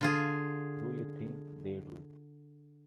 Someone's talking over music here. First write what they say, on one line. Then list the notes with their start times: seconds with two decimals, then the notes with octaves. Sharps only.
Do you think they do?
0.01 D3 F4 G#4